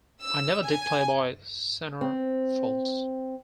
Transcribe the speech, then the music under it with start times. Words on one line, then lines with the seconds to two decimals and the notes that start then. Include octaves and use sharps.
I never did "Playboy" centrefolds.
0.22 E6
0.66 G#5
2.01 C4